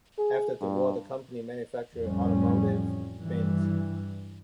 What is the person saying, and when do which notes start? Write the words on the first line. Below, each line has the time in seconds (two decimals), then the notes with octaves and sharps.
After the war, the company manufactured automotive bins.
0.18 G#4
0.61 G2
1.98 A1 F2 A2 F3 G3 C#4
3.19 G2 E3 G3